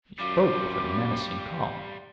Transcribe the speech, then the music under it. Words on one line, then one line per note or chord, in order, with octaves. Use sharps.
He spoke with a menacing calm.
F#2 G3 F4 D6